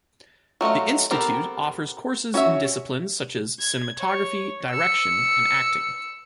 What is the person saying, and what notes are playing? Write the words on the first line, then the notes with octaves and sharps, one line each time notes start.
The institute offers courses in disciplines such as cinematography, direction and acting.
F#3 A3 F4 D#5
B3 C4 G4 A4 A#4
C#4 F#4 C#5 E5
G#6
C#5
E6 C#7